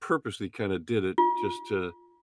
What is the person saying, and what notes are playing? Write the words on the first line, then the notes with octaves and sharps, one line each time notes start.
purposely kinda did it just to
F4